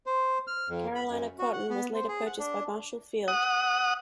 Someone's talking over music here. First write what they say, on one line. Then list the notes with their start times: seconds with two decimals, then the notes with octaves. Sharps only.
Carolina Cotton was later purchased by Marshall Field.
0.06 C5
0.47 F6
0.69 F2
0.95 B5
1.09 F#2
1.39 F#4
1.53 F#5
1.70 B3
1.94 C5
2.08 G#4
2.26 F#5
2.39 D4
3.28 F#5 D#6